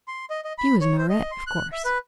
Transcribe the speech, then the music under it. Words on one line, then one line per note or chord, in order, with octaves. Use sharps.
She was an Aurette, of course.
C6
D#5
D#5
B5
C#5
C5
D#5
C6
F#6
E5
B4